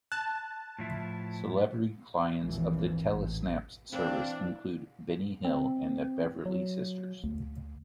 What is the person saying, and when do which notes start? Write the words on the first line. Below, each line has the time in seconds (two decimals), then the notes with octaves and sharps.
Celebrity clients of the tele-snaps service included Benny Hill and the Beverley Sisters.
0.12 A5 F#6
0.79 A2 F3 E4
2.42 G#1 D#2 A#2 E3 F3
3.05 A1
3.92 E3 C4 D4 F5
5.45 C4
6.46 F#3
7.24 D2